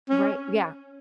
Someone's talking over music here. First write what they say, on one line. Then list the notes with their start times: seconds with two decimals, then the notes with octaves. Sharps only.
Right, yeah.
0.09 C#4